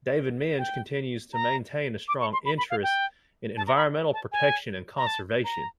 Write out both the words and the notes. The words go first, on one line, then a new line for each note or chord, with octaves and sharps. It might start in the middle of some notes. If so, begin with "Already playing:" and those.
David Minge continues to maintain a strong interest in environmental protection and conservation.
G5
A#5
D6
C#6
C6
B5
B5
F5
G5
A5
A#5
B5
A5
G#5
A#5
A5
A#5